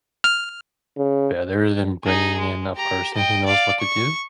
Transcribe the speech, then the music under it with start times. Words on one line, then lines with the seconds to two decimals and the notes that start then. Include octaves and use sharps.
better than bringing in a person who knows what to do?
0.24 F6
0.97 C#3
2.04 D#4 G#4
2.38 G#3
2.76 G4 A#5
3.14 D#5 G5
3.44 D5 F5
3.80 C#6